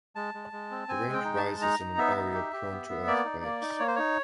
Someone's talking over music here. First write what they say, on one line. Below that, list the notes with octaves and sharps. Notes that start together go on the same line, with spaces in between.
The range rises in an area prone to earthquakes.
G#3 A5
G#3
G#3
C4
C4 G#5
G#3
G5
D#4
A5
G#3
D#4 A#5
D#4
B3 E5
D#4
G4
G4
B3
B3
A#3 D5
D#4
A#3
D#4
A#3 C#5
C5
D#4 C#5